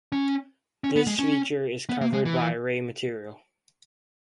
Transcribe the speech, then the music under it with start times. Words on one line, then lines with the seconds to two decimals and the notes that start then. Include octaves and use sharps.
This feature is covered by ray material.
0.12 C#4
0.84 C#4
0.96 B3
1.07 G#3
1.19 C#4
1.89 B3
2.01 A#3
2.13 G#3
2.25 E3